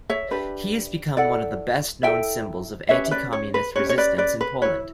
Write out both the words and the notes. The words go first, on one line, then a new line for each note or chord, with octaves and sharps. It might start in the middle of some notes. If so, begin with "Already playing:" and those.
He has become one of the best-known symbols of anti-communist resistance in Poland.
C#5 E5
D4 G4 B4
E4 A4 D5 F#5
E4 A4 E5 G5
C#4 G4 B4 C#5 E5
B4 D5
C#5
B4
C#4 G4 B4 C#5
C#5
B4 D5
B4 D5
B4
E4 B4 C#5